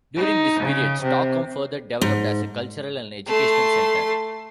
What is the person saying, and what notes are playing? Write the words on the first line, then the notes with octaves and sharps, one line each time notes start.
During this period, Stockholm further developed as a cultural and educational centre.
D#4
C#3
C3
G#2
A3 C6